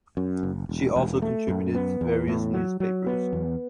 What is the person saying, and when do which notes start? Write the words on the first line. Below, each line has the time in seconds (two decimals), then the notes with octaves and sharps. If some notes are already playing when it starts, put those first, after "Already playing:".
She also contributed to various newspapers.
0.17 F#2
0.43 F#1
0.69 E1
0.96 E1
1.22 A3
1.48 F#2
1.75 B3
2.01 E2
2.28 A2
2.53 F#3
2.80 F#3
3.06 B3
3.33 E2